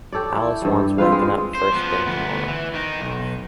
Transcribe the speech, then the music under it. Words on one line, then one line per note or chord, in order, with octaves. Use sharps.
Alice wants waking up first thing tomorrow.
G4 A4 C#5 D5
E4
G2 G3
C4 F4 B4 F5
G#3
C5
F3 B3
D2 B3
E3
D#3 D#4
B1